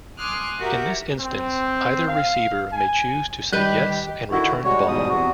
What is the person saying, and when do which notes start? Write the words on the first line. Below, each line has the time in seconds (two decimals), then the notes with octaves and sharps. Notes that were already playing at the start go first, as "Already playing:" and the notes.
In this instance, either receiver may choose to say 'yes' and return the ball.
0.17 G#5 C6 D6 D#6 F6 F#6
0.58 F#4 G4 A#4 E5 A#5
1.20 C4
2.08 F5
2.73 G#5
3.53 D#3 G3 G4 B4 D#5 G5 F#6
4.31 D3 D#3 E4 F#4
4.64 G3 G#3 F#4 C#5
4.88 E2 G#2 B2 G3 D#6
5.09 E2 C3 F#4